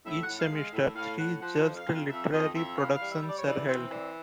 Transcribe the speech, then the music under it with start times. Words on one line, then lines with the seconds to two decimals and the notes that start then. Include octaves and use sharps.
Each semester, three judged Literary Productions are held.
0.05 A2 E5
0.21 F#5
0.27 A2
0.39 F5
0.50 G#3
0.56 F5
0.73 A2 E5
0.95 A2 F5
1.18 A2 F#5
1.41 F3 F#5
1.64 F2
1.75 F5
1.86 F2
2.09 F2 E5
2.32 F2 D#5
2.54 F2 E5
2.77 E3 F5
2.95 F5
3.00 G3
3.11 E5
3.23 G3
3.28 D5
3.38 C#5
3.45 E3 D5
3.68 C4 C5
3.91 E3 D5